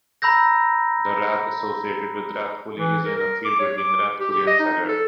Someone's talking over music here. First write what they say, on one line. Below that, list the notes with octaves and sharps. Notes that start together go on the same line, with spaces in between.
The rath associated with Rathcoole is in a field between Rathcoole and Saggart.
A#5 B5 E6 G6 A#6
E3
A#4
A#4
D6
C#5
D6
G4
G4
D#5
D#4
A4